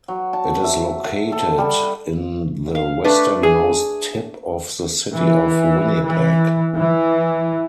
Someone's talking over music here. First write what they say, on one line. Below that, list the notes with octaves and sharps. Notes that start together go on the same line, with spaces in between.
It is located in the westernmost tip of the City of Winnipeg.
F#3
A5
E5
A4
G3
F5
A3 D4 B4
G#4
E3
E3
E3